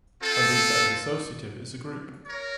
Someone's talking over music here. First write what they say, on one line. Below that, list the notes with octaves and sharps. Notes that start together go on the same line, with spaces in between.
A loop that is associative is a group.
C4 F4 A4
A#4 C#5